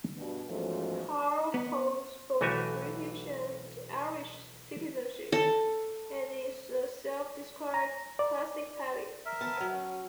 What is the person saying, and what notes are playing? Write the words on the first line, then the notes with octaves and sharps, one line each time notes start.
Carr holds both British and Irish citizenship and is a self-described plastic Paddy.
G2 B2
E2 G#2 F3 F#3 A3 C#4
B3
B1 E3 A3 F#4 G4 G#5
A4
A#5
D5
A#4 E5
B3 A5
F#3
C#4